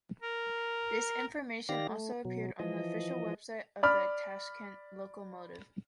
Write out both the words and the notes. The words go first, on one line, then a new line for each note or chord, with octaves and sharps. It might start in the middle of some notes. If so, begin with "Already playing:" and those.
This information also appeared on the official website of the Tashkent Lokomotiv.
A#4
D#3 G4 D5 F5 A#6
A3
B2 F#3
E3 F3 D#5
D5 B5 F6